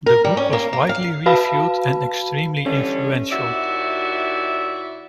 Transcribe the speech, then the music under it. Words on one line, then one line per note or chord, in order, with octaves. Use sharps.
The book was widely reviewed and extremely influential.
A#4
G3
C#4
A#3
A#3
F5
F#4 B4 F5 A5 B5
D3 E3 G3 C#4
D#2 E4 F#4 D5 E5